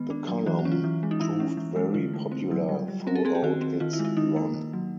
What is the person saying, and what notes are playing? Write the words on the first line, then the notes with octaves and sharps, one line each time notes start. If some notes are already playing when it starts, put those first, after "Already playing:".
The column proved very popular throughout its run.
Already playing: D#3 G#3 B3
D4
F#3
E3 F#4
F#4
C#4
F4
E3
G#3
D#4
E3 E4
C#4
E3
G#3
D3 F4
A3
C4
F#3
G3
G3
C4 A#4
A4
C4 G#4
G4
D#3 F#4
C4
D#3 F4
E4
G#3
E4
D#3 D#4
A#3
D#3
F#3